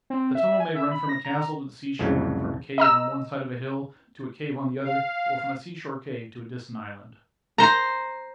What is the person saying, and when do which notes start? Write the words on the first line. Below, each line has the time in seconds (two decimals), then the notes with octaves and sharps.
The tunnel may run from a castle to the seashore, from a cave on one side of a hill to a cave on the other, or from a seashore cave to a distant island.
0.10 C4
0.35 E5
0.60 G#5
0.75 E5
0.91 B5
1.09 A#6
1.25 A#5
1.99 C2 F2 A2 C#3 F#3
2.78 D#5 A#5 E6
4.85 F5
7.58 C5 A#5